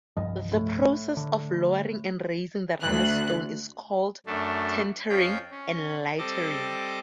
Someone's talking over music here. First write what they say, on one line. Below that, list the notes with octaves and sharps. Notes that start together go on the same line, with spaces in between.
The process of lowering and raising the runner stone is called tentering and lightering.
C2 G2 F3 D#5
A2
D3
D2 F#6
F#2 A3 D4
F2 F3 C#4 F4 G5 G6
C#4
G3 C4 A4 D#5 D6